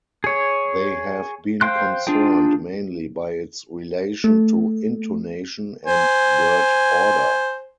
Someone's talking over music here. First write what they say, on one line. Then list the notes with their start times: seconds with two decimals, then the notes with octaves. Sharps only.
They have been concerned mainly by its relation to intonation and word-order.
0.24 G#4 C#5
1.61 C5 F5 G5 C6 F#6
2.07 D4 F4 G#4 G5
4.24 A3
5.86 C5 G#5